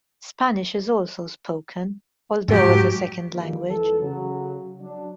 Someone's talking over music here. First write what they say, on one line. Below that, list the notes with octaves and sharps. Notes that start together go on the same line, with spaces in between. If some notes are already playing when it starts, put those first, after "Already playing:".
Spanish is also spoken, although as a second language.
G#2 F#3 G#3 G4
D#3 F3 G3 G#3 A#3
F2 E3 G#3 A4
C#3 F#3
F#3 D4